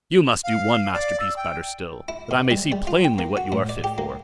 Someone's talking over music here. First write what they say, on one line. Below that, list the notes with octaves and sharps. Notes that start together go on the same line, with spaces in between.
'You must do one masterpiece better still, that I may see plainly what you are fit for.
F5
D5
E6
G5
E4
B2
G3
G3
F4
G5
A#3
F#4
A2
D5
G4
A#3